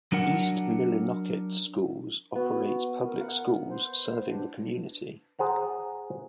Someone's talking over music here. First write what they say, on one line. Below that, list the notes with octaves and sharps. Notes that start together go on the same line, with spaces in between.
East Millinocket Schools operates public schools serving the community.
F#3 D4 A#4 F#5
B3 F#4
A#4
F#5
C5
D4
G#4 C5 F#5 A#5